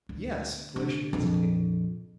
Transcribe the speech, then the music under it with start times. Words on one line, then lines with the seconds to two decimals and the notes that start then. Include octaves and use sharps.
"Yes." Felicia hesitated.
0.09 D2
0.76 D3
1.13 A#1 F2